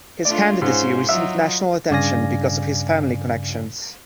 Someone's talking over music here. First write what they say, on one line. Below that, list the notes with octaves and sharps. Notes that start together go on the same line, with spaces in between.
His candidacy received national attention because of his family connections.
A3 D4 F4 D5
G#2 C#4 F4 C5
F#3 D#4 F4 E5
G2 C#3 D5 F5 G#5 A#6